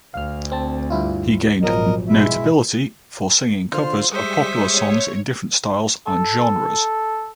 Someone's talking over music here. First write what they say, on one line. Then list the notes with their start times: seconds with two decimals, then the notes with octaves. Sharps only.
He gained notability for singing covers of popular songs in different styles and genres.
0.14 D2 F5 F6
0.52 C4 A5
0.90 G2 E4 F4
1.63 G#1 A#2 F3 F#3 A#4 D#5
2.09 B2 G#3 E4 E5
3.73 D3 F4 C5 F6
4.12 G3 G#3 C5 E5 C#6 D#6 B6
4.47 C#5
6.07 A4